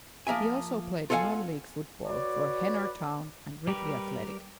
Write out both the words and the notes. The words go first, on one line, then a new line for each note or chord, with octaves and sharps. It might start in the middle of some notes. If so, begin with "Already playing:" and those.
He also played non-league football for Heanor Town and Ripley Athletic.
F3 A#3 E5 G#5
F4 A4 F5 F#5 G#5
F#4 B4 C#5 D5
G3 G4 A#4 B4